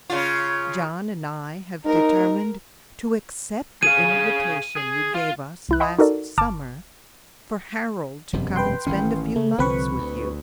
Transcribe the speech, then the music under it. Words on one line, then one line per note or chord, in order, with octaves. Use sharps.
John and I have determined to accept the invitation you gave us last summer for Harold to come and spend a few months with you.
C#3 F4
D#4 A#4
G#4 F5 D#7
G#4
F4
C2 E4 F#6
D#5 F#5 B5 C6 D#6
D#4 F#4 A4 A#4 D5
G1 A5 D6 F6
E1 F#2 C3
B4 G5 C6
A1 D#3 C#4
C#3 A3
C2 D3 F3 C4 B4 C#6
D2